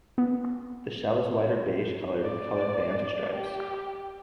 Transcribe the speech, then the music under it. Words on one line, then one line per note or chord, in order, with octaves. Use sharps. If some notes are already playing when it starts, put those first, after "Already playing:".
The shell is white or beige-colored with colored bands or stripes.
B3
D5
G4